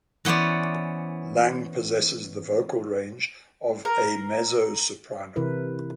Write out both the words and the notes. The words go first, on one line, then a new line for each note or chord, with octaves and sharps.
Lang possesses the vocal range of a mezzo-soprano.
E3 B3 C#4 C5 D5
A#4
C3 E3 E4 A#4 B4